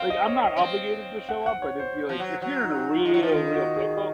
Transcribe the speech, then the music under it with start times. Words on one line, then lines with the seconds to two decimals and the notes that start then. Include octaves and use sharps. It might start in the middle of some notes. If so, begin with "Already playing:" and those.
Like, I'm not obligated to show up, but if you're, like, if you're in a real real pickle,
Already playing: C4 F5
0.10 D#5
0.28 C#5
0.44 D#5
0.56 C#4
0.61 C4
1.29 F#5
1.46 F#5
1.62 C#5
1.80 C5
2.09 F3
2.19 F#3
2.42 F#3
2.64 D#4
2.98 F4
3.05 G#3
3.14 F#3
3.23 F3
3.31 D#3 F4
3.54 F#4
3.76 G#4